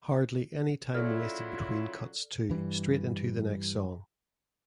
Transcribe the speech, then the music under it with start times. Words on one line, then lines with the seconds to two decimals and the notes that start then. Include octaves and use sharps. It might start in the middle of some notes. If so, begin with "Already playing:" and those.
Hardly any time wasted between cuts too, straight into the next song.
0.95 C#3 F#3 E4 F4 A4 D5 F6
2.50 G2 E3 G3